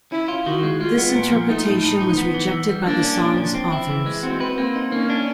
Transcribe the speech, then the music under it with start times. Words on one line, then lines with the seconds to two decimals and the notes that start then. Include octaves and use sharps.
This interpretation was rejected by the song's authors.
0.12 C#4 E4
0.28 F4
0.46 D#3 F#4
0.63 G#3
0.80 G#3 F4
0.98 B3
1.15 A#2
1.31 F3
1.49 A3 D#4
1.66 A2
1.83 A2 D#4
2.01 F3
2.18 B3
2.34 E3
2.51 E3
2.69 G3
2.87 A#3 D4
3.03 C#4
3.20 A#2
3.37 F3
3.54 C4
3.72 E4
3.90 E3
4.06 G#3
4.23 C4 F#4
4.40 B4
4.57 A#3 C4
4.75 D#4
4.92 A#3 C#4
5.10 D4